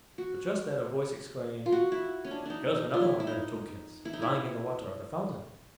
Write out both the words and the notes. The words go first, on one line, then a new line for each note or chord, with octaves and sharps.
But just then a Voice exclaimed: "Here's another of them, Tubekins, lying in the water of the fountain."
F#4
F4
F#4
E4
C#4
D4
D4 D#4
D#4
F4
E4
E4
D#4
E4
D#4
E4